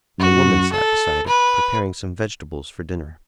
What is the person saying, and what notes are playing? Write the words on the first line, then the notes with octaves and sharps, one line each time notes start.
A woman sat beside it, preparing some vegetables for dinner.
F#2 F#4
A4
B4